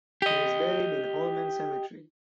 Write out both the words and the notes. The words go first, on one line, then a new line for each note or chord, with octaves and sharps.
He is buried in Holmen Cemetery.
G4 D#5